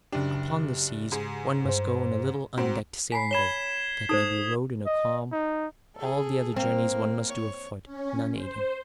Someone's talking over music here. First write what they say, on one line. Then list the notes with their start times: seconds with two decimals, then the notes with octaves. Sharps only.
Upon the seas one must go in a little undecked sailing boat, that may be rowed in a calm; all the other journeys one must do afoot, none aiding.
0.12 F#1 C#3 D4 G4
1.12 G#2 G#4
1.65 G2 C5
2.57 G#2 C4 F#4 C5
3.12 G#5 A#5 B5 B6 C7
3.31 C#5 B5 G#6 E7 G7
4.09 D#4 A4 C5 D#6 G#6
4.86 D#5
5.32 D#4
5.96 G#4 A4
6.56 A#3 C4
7.28 C#5
7.85 C#4
8.35 C5